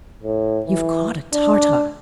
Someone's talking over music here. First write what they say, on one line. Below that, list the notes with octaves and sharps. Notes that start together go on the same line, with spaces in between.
'You've caught a Tartar.'
A2
E3
D4